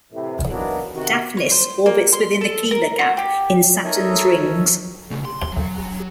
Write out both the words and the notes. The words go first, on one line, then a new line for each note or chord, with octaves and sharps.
Daphnis orbits within the Keeler gap in Saturn's rings.
A2 C3 E3
E3 F#3 A#3 B3 D4 D#4
C3 D#3 F#4
C#5
C5
A#3
C6
A4
A#4
F#4
G4
D#4 A4 A#4 C#5 D#5 E5
C#3 A3
C6
F#3